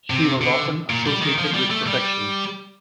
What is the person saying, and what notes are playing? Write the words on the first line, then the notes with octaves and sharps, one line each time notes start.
She was often associated with protection.
C3
D3
A#2
G3
D#3
F3
G3
A3
G3